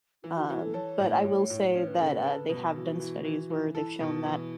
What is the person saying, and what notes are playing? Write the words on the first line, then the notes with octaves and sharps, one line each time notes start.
um, but I will say that, uh, they have done studies where they've shown that,
E3 E4
F#4
E3 F#4
A4
A4 C#5
A2
A2
A2
C#4 C#5
B4
C#3 A4
B4
A4
B2
E3 F#4
E3
E3
E3
E4 A4
B2
E3